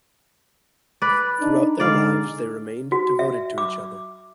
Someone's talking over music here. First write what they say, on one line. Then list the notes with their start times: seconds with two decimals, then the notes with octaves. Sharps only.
Throughout their lives, they remained devoted to each other.
1.02 B4 D5
1.40 D4 D#4
1.80 D3 G#3 D#4 D5 F5
2.92 F#4
3.19 E5
3.58 D6